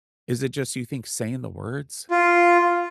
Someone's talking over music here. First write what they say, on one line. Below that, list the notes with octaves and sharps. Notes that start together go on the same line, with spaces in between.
Is it just you think saying the words?
F4